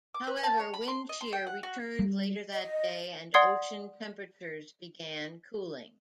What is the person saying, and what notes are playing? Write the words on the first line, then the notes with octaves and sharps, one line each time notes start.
However, wind shear returned later that day and ocean temperatures began cooling.
D6
B4
A5
C#5
B5
C6
D#5
C6
G5
F#5
F#4
G3
D#5
D5 F#5 C6 D#6 G#6 C7